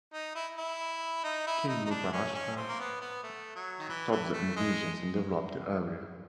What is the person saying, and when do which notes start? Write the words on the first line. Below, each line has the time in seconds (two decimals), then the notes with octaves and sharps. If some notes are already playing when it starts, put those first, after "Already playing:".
King Mubaraksha stopped the invasions and developed the area.
0.13 D#4
0.35 E4
0.58 E4
1.24 D#4
1.47 E4
1.68 D#4
1.85 D#4
1.90 D4
2.13 C#4
2.35 C#4
2.57 C4
2.68 A#3
2.79 B3
3.01 B3
3.23 A3
3.56 F#3
3.80 D#3
3.89 E3
4.12 E3
4.33 A3
4.56 G#3